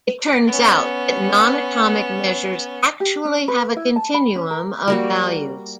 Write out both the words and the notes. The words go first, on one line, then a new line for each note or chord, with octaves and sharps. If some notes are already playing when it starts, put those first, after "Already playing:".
It turns out that non-atomic measures actually have a continuum of values.
B3 C#4
G4
C#4
B4
E4
A5
B5
C#4
A#4
G3 A#3 F#4